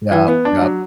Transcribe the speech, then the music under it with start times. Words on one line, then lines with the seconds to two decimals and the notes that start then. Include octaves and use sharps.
Yup, yup.
0.11 E3
0.28 B3
0.45 D4
0.61 F#3